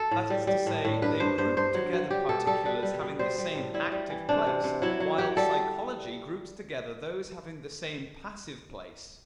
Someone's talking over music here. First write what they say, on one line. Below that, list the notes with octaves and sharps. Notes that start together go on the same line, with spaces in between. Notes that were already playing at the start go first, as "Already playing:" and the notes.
That is to say, they group together particulars having the same "active" place, while psychology groups together those having the same "passive" place.
Already playing: A4
A2
G3
G3
A2
A2
G2 B4
G2 C5
G2 C5
G2 C5
F#3
F#3
G3 G4
B2 A4
G3 A4
G3 B4
G3
B2
G3 C5
G3
A2
G3 E4
G3
E3
C3 D4
C3
C3
F#3 E4
F#3
F#3 G4
G3 A4